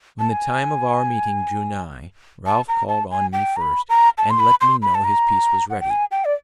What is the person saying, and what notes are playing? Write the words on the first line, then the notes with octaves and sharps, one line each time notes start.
When the time of our meeting drew nigh, Ralph called on me first, and let me know his piece was ready.
A5
G#5
A5
A#5
A5
G#5
G5
A#5
B5
A#5
A5
C6
B5
C6
B5
A5
A#5
F#5
G5
G#5
G5
D5